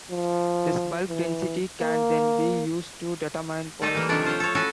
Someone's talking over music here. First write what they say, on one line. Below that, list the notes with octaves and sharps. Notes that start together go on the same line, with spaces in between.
This bulk density can then be used to determine porosity.
F3
E3
A#3
G3 A3 D#4 A4 D#5
E3 A#3
C3 D#3 F3 G3 A3 D4
F4 C5 C#5
A4 C#5
C#4 E4 F#4 A4 G#5